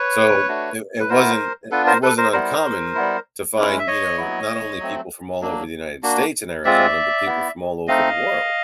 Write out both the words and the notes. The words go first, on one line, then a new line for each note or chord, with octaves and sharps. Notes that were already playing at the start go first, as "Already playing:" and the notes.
So, it it wasn't, eh it wasn't uncommon to find, you know, not only people from all over the United States and Arizona, but people from all over the world.
Already playing: B4 C#5
A3 D4 F#4
B4
B3 E4 A#4 C5
B3 D4 F4 A4 B4
A#4 C5
A4 B4
A#4 C5
G3 B3 E4 A#4 C5
G3 B3 E4
G#3 C#4 E4
E5
C#5 D#5
F#3 B3 E4
F#3 A3 C4
F#3 A#3 D4
A#3 D4 F#4
G#3 C4 F4 D5 E5
B3 E4
A3 C4 D#4 D#5 F5